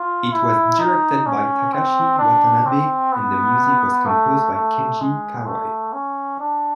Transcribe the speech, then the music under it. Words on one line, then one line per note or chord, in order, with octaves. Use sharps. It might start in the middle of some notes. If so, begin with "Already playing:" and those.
It was directed by Takashi Watanabe and the music was composed by Kenji Kawai.
Already playing: F4
E4
D#4
C#4
C4
D4
C4
B3
A3
A3
G#3
A3
C#4
D4